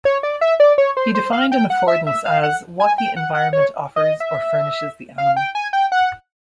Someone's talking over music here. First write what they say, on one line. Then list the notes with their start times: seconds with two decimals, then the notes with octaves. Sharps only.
He defined an affordance as what the environment offers or furnishes the animal.
0.05 C#5
0.23 D5
0.41 E5
0.60 D5
0.78 C#5
0.97 C5
1.15 C5
1.33 F5
1.52 G5
1.70 F#5
1.88 E5
2.07 E5
2.25 F5
2.43 F#5
2.80 G#5
2.98 G5
3.16 F#5
3.35 F#5
3.53 C#5
3.96 D#5
4.20 E5
5.18 F5
5.37 G5
5.55 G#5
5.73 G5
5.92 F#5